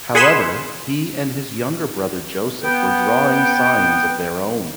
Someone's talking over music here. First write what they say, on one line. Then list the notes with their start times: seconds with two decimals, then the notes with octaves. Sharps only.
However, he and his younger brother Joseph were drawing signs of their own.
0.15 G#4 F#5 G#5 B5 C6 E7
2.64 B3 G5